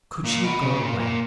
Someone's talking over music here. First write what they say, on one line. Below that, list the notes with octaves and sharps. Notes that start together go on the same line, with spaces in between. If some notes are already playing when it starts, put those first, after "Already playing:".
Could she have gone away?
A#2
B2
C#3
A#2
A#2